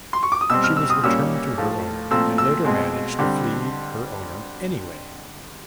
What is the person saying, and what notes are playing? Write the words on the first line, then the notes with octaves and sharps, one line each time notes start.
She was returned to her owner and later managed to flee her owner anyway.
C6
C#6
D6
D#6
B2 G3 C4 E6
F6
E6
D#6
A#2 G3 A#3 C#4 E6
A2 F3 A3
A#2 F3 A3 C4 E6
E6
B2 G#3 C4
D3 G3 C4